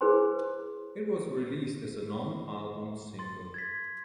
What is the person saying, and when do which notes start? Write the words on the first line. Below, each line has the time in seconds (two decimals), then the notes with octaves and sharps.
It was released as a non-album single.
0.01 E4 G#4 B4 C5 G#5 C6
3.19 C6 A6
3.54 G#6 A6 B6